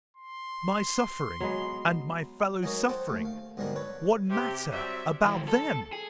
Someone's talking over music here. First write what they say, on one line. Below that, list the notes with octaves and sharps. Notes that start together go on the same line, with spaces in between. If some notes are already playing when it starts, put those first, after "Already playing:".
My suffering and my fellow-suffering--what matter about them!
C6
F#3 G#3 B3
F#3 G#3 D#4 G#4 A#4 C#5
A4 C5 F#5 G5
D#2 A3
F5
B1 G#2 D3 G3 G#3 A#4
A4 B4 C#5
C3 G4
F#3 G3 C4 E5
E3 G#3
A4
G#4